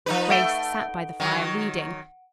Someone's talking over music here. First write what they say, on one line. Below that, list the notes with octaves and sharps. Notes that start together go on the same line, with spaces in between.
Grace sat by the fire reading.
F3 D#4 B4
A3 F#5 D7 G7
D#3 F#3